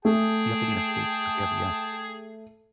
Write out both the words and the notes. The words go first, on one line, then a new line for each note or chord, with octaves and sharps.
you have to be in a state to forgive, yes.
A3 G#4 G5 A5